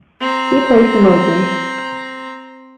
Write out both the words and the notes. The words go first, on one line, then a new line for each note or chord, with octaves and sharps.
He played for Moseley.
C4 A#5